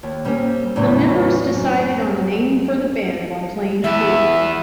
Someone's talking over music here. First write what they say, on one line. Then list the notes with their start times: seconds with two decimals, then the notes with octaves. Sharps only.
The members decided on a name for the band while playing pool.
0.03 D#2
0.25 G3 A#3 C4 C#4
0.76 E2 A2 C#3 E3 F#3
1.54 F#2
3.84 E2 B3 E5